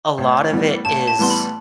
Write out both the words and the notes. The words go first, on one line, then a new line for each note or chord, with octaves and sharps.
a lot of it is
A1
A2 E3 G3 B3
A1 A5
A5
A2 E3 G3 B3 C6
B5